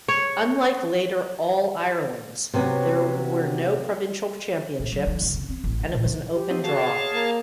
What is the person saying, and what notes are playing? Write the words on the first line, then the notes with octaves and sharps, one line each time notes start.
Unlike later All-Irelands, there were no provincial championships and it was an open draw.
C#5
C3 F#3 B3 C#4
A#2
F#3
D#3
F#1
B2
C4
A1
D2
A#2
D#3
G4
C4 D#4
F#4 G#4 F5 A5
C#5
A#3